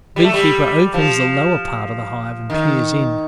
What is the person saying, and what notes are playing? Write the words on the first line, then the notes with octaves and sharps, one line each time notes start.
The beekeeper opens the lower part of the hive and peers in.
G3
A3
G3
F3
D#3